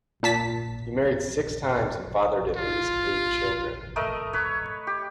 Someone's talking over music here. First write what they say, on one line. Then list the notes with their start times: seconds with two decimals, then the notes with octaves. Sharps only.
He married six times and fathered at least eight children.
0.23 A#2 A5 B6
2.57 F4
3.96 A3 A#4 D#5 A5
4.33 B4 C#5
4.87 G4